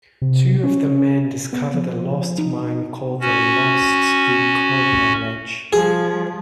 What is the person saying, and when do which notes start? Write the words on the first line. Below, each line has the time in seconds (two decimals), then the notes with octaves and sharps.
Two of the men discovered a Lost Mine called the Lost Doukhobor Ledge.
0.22 C3
0.63 C#4
1.53 B3
1.74 F3
2.38 D#4
3.21 C#4 F#4
5.73 F3 G3 G#4